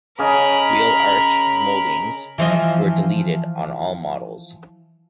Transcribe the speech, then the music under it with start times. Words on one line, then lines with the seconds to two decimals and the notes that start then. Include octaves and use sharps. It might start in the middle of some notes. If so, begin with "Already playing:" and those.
Wheel arch moldings were deleted on all models.
0.19 C#3 C#4 A#4 D#5 B5
2.38 E3 F3 D#5